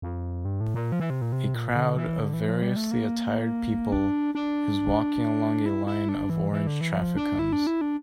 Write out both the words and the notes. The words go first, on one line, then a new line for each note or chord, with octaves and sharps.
A crowd of variously attired people is walking along a line of orange traffic cones.
F2
G2
A2
A#2
F3
E3
C3
A#2
C3
A#2
D3
E3
D3
E3
F3
G3
A3
A#3
D4
D4
E4
E4
D4
E3
E3
D3
E3
F3
D4
E4
D4
E4
D4